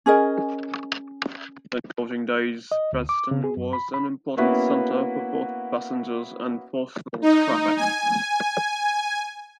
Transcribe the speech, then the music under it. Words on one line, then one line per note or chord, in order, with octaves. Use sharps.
In coaching days, Preston was an important centre for both passenger and postal traffic.
C#4 G#4 A#4 D#5
D#5
D2
D6
C#3
G#4
F#2
B5
B5
A#3 B3 C#4 E4 F#4 B4
D#4
G#5